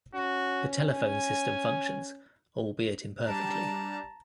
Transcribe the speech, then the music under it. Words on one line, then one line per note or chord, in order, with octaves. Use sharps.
The telephone system functions, albeit imperfectly.
C#4 F#4
G#5
G3 D4 A5 A#5